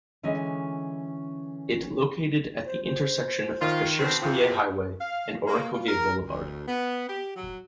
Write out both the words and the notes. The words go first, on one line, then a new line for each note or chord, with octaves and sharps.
It located at the intersection of Kashirskoye Highway and Orekhovy Boulevard.
D3 E3 G#3 C#4 D#5
C5
C5
D#3 F4
B2 C4 G5
E2 C3 F4
F5
A#3
F4
A#4
D2
B3
G4
F#3